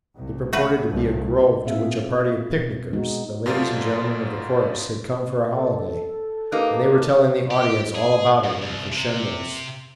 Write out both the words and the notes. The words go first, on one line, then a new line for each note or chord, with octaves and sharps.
It purported to be a grove to which a party of picnickers, the ladies and gentlemen of the chorus, had come for a holiday, and they were telling the audience all about it in crescendos.
C2
A3 F#4 B4
C2 G2
A#2 C4 G#4 E5 F5
B2
G#3 B3 D#4 F#4
F#2 B2 A3 F4 C5 D5
A4
A#3 D#4 G4 A#4 B4
G4
G#4
G#2
C2
C3